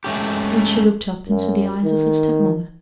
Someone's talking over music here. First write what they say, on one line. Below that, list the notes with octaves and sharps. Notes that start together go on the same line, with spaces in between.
Then she looked up into the eyes of her step-mother.
G#3 A3 C#4 G4
F#2
D#3